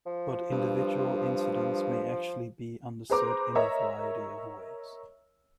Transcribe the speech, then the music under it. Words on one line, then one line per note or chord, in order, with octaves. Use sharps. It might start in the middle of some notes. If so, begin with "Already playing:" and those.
But individual incidents may actually be understood in a variety of ways.
F3
G2
G#4 B4 C5 A#5 D6
A#4 C#5 D#5 E5 A#5